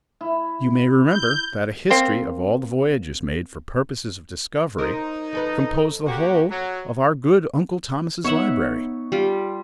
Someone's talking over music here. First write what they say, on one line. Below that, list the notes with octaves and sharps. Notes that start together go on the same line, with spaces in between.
You may remember that a history of all the voyages made for purposes of discovery composed the whole of our good Uncle Thomas' library.
E4
G6
A#3 C4
D#4 A#4 C5
F2 A4 B4
A#3 F#4 G4
F#3
B3 D#4 C#5 E5 F#5 C#6
G3 F4